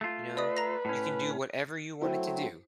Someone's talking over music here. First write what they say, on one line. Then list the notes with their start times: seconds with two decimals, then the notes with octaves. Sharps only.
you know? You can do whatever you wanted to do.
0.01 A3 F4
0.37 B4 D5 D#5 D#6
0.57 A#5 A#6
0.85 A2 C#4
2.01 F#3 A3 C4 E4 F#4 C5